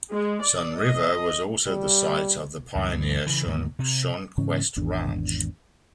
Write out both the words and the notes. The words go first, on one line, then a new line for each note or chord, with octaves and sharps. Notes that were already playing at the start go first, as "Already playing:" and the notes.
Sunriver was also the site of the pioneer Shonquest Ranch.
G#3
D5
D#5
G3
D2 G2 E3
C#3 E3
D#2 G#2 D3 A#3
C3
G#2 C#3 E3 C#4
G#1 E2 D4